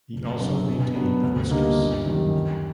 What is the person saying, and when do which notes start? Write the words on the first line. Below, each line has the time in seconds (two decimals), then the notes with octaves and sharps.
He also maintained a mistress.
0.13 F#1
0.40 F#2 D3
0.69 B2
0.95 F#3 B3 D4
1.23 D2
1.50 D3 G3 A#3 D#4
1.78 G1
2.06 F#2 D#3 G3
2.34 F#2